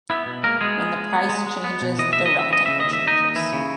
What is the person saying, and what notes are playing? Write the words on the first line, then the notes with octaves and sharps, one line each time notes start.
When the price changes the rectangle changes.
B3 E4 E5
B2
G#3 A#3 A#4
G#3 B3 G#4
B3
G#3
B3
G#3
G#3
B3
B2
E3 D#5
D#2 E5
D#5
C#3
E5
E3 D#5
C#3 E5
D#5
D#2
E5
D#2
D#4 D#5
D#2
E3 E4
C#3